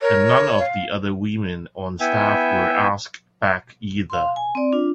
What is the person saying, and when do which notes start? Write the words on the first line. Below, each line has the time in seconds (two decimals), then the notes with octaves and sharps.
And none of the other women on staff were asked back either.
0.01 A#4 C#5
0.59 F5
2.00 B3 E4 E5 G5 G#5
4.10 F5 C6
4.36 G#5
4.55 C4 D5
4.72 D4 F4